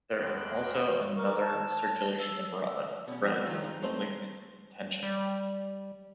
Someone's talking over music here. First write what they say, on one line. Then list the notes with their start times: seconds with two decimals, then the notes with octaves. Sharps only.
There is also another circulation abroad, spread with a malignant intention.
0.20 E2 G#3 G5 F#6
1.16 A#4 C#6 D6 F6
1.41 A5
2.21 E6
3.08 B2 C#4
3.23 F2 B3 C4
3.46 D#3 F3 G3 F4
3.61 G#3 D#4
3.82 A3 C4 D#4 G#4 C5
5.03 G3